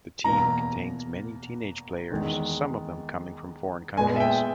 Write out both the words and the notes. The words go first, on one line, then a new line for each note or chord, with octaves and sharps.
The team contains many teenage players, some of them coming from foreign countries.
E2 B2 A#3 A#5
E2 D#3 G#3
A#2 G#3 B3 G#5
E5
G5